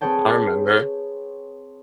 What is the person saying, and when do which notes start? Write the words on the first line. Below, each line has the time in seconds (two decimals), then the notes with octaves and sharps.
I remember.
0.01 C4 G#4 B4 C#5 G5 A5